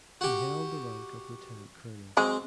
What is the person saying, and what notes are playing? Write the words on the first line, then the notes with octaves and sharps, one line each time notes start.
He held the rank of Lieutenant Colonel.
F#4 G4
F#3 G#3 C4